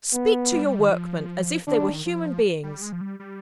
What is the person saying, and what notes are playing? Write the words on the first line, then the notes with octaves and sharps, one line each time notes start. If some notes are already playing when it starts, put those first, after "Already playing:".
Speak to your workmen as if they were human beings.
B3
G3
D#3
F3
D#3 D4
F3
G3
G#3
F3
G3
G3